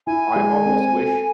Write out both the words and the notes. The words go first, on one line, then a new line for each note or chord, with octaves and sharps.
I almost wish,
E4 G#5
G#3
C4
A4